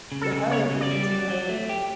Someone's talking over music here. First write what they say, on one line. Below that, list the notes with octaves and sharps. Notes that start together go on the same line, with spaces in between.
The highways begins in Cayenne.
C#3
A4
C#3
B3 C#5
C#3
D5
G3
F#3
F#3
A3
G4